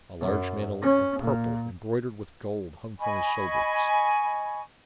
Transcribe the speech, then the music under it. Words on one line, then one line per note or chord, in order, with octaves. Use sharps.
A large mantle of purple embroidered with gold hung from his shoulders.
F#2
C#4
A#2
D#5 G#5 B5 C#6